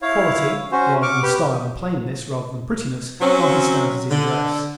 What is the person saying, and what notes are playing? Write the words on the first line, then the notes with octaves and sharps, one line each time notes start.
Quality rather than style and plainness rather than prettiness are his standards in dress.
E4 C#5 F5
C#4 F#4 C5
C#6 D6 F6
G4 B4
F#3 C4 C#4
D3